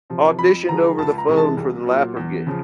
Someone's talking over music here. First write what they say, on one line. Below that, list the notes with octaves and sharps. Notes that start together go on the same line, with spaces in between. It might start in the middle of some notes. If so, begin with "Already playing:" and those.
au auditioned over the phone for the laugher gig,
C3 F3
F2 B5
D3 F3 G#3 A#5
C#2 A5
A#5
C3 E3 G#3
A5
C2
A#2 F#3
E2
C#3 F3